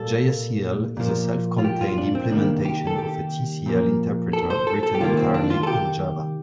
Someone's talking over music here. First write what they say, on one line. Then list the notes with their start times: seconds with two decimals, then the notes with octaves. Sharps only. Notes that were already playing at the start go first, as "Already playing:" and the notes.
Jacl is a self-contained implementation of a Tcl interpreter, written entirely in Java.
Already playing: A#2 G3 A#3 A4
0.97 A#2 F3 A#3
1.59 F4
1.64 G4
1.81 F4
1.98 D4
2.15 C4
2.31 C3 D#3 G3 A#3 D4
2.65 G4
2.87 A4
2.98 G4
3.66 A#2 F3 A#3
4.33 A4
4.50 C5
4.67 A4
4.83 A4
4.95 G4
5.00 C3 D#3 G3 A#3 F4
5.17 C4
5.34 D4
5.50 F4
5.63 A4
5.67 G4